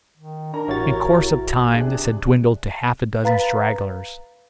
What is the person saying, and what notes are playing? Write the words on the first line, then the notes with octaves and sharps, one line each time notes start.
In course of time this had dwindled to half a dozen stragglers.
D#3
D4 A#4 A#5
A1 E4 F#4 G4 C#5 A6
C3 D4 G#4 F#6
B4 F5 A#5 B5 A6 B6